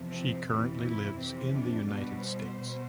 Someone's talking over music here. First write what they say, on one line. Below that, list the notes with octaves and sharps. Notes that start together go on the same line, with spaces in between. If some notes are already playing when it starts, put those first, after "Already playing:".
She currently lives in the United States.
Already playing: E2 C3 F3
C4
F2 C3 E3 C4
E4
F2 C3 E3 C4
D4
B2 G3
C5
B2